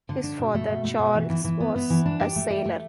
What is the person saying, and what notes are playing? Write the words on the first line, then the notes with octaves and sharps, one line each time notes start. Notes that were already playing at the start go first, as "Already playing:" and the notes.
His father, Charles, was a sailor.
D3
D4
B2
A3
B2
A3
B2
E3
E3
E3
B3
B3
E3
D4
G4
A3
G4
A3